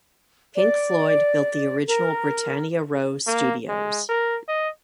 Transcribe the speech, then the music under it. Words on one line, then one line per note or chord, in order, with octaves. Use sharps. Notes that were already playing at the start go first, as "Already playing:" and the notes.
Pink Floyd built the original Britannia Row Studios.
D5
A#4
A#3
G#3
A#4
D#5